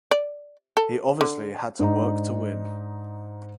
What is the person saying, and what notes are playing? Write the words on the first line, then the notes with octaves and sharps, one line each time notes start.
He obviously had to work to win.
D5
A4
D3
G#2 D4 D#4